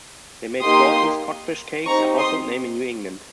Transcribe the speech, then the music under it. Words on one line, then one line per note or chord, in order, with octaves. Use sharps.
They made Gorton's codfish cakes a household name in New England.
A#3 D#4 G4 C6 D#6
C4 D#4 G4 A#5 C#6
C6 D#6